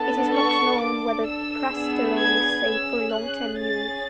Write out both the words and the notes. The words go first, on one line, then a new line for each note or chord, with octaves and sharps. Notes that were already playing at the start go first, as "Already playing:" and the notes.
It is not known whether prasterone is safe for long-term use.
Already playing: B3 D4 A4 A5
C#6
D4 A4 D6
E6
B3 D4 G#4
G#6
C#4 G#4 E6
F#6
C#4 G#4 A6